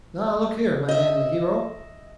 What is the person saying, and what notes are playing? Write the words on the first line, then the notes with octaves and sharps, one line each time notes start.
Now, look here, my manly hero.
D#5 E5